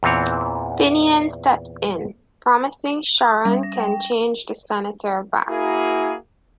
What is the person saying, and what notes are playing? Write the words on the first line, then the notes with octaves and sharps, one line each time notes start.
Finian steps in, promising Sharon can change the Senator back.
E2 A#2 E3 C4 C#5
D#6
G3
A#6
G5
A#3 E4 F#4 G#4